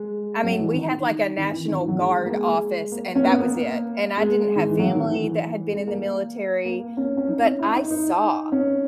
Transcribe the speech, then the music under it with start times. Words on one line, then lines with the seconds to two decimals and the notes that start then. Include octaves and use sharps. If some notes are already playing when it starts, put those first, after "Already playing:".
I mean, we had, like, a national guard office and that was it, and I didn't have family that had been in the military, but I saw
Already playing: G#3
0.44 F#3
0.59 E3
0.74 D#3
1.37 D#3
1.52 E3
1.68 D#3
1.77 E3
1.88 F#3
1.99 G#3
2.25 A#3
2.30 G#3
2.92 A#3
3.15 C#4
3.24 B3
3.38 A#3
3.54 A#3
4.17 G#3
4.56 D#3
4.68 E3
4.79 F#3
4.95 D#3
5.09 E3
5.72 G#3
5.87 A#3
6.65 A#3
6.97 C#4
7.17 C#4
7.28 D#4
7.44 C#4
7.59 E4
7.75 D#4
7.90 D#4
8.52 C#4